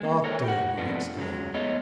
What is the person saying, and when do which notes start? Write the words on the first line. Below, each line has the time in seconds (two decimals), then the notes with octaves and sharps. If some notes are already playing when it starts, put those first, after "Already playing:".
"Doctor!" he exclaimed.
0.01 G#3 A#3
0.24 A4 A#4 C#5
0.44 G4 F#5
0.78 G#2 C3 F3 A3 B3 D4
1.17 C#3 F3 F#3 G#3
1.54 A3 B3 C#5 D#5